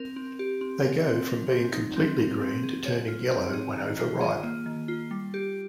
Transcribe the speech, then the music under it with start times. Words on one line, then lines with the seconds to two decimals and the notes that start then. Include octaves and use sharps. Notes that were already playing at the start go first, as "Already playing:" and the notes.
They go from being completely green to turning yellow when overripe.
Already playing: C4 A#4
0.16 C4
0.39 G4
0.61 C4
0.83 A#4
1.06 C4
1.29 A#4
1.51 C4
1.73 D#4
1.96 C4
2.18 A#4
2.41 C4
2.63 G#4
2.86 C#5
3.08 F4
3.31 C4
3.53 G#4
3.76 D#3
3.99 F4
4.21 G#4
4.43 A#3
4.66 D#3
4.88 F4
5.11 G3
5.34 G4